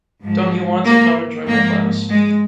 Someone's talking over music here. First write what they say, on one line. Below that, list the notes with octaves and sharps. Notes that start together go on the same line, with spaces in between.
Don't you want to come and join my class?
G#2 F3
A#3
G#2 F3 A#3
G#3